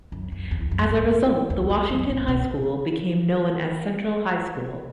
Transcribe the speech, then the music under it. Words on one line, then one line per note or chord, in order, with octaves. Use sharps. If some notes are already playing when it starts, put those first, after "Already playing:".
As a result, the Washington High School became known as Central High School.
F#2
F#2
E2
F#2
G#2
E2
E2
E2
F#2
A2
B2